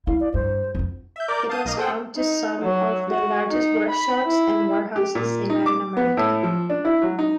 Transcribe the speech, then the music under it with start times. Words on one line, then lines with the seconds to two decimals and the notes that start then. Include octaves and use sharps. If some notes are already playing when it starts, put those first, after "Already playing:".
It was home to some of the largest workshops and warehouses in Latin America.
0.07 E4 F5
0.20 D5
0.34 G2 C5
0.75 F2 E3
1.16 E5 G6
1.28 A#4 D5 D6 G6
1.49 F5 A5 D#6 G6 D#7
1.65 B1 A#3 D#5 F5
1.77 G#4 A4 C5 F#5 G5
2.17 D#4
2.62 F#3
3.09 F#4
3.50 D#4
3.90 B5
4.26 E4
4.96 G4
5.15 A#2
5.50 D#4
5.66 D6
5.97 B3
6.17 A2
6.43 F3
6.70 D4
6.85 E4
7.02 F#3
7.19 D#4